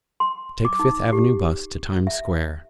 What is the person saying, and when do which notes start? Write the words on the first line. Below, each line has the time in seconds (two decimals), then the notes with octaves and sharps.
Take Fifth Avenue Bus to Times Square.
0.20 C6
0.65 D6
0.79 D#4
1.13 G4
2.07 E5